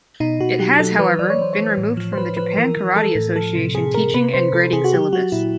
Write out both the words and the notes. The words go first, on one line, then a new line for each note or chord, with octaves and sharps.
It has, however, been removed from the Japan Karate Association teaching and grading syllabus.
B2 D#4
B2 F#4
F#3 G4
F#3 A4
E3 B4
E3 D5
C#5
E3 C5
C#5
E3
A2
F3
C5
F3 B4
F3 B4
E3 A#4
E3
E3 A4
A2
F3 A4
C3
C3 G#4
C3 A#4
C3 B4
C3 C5
C3 A4
C3 G#4
F#4
F#3 G4
F#3 F#4
A#2 E4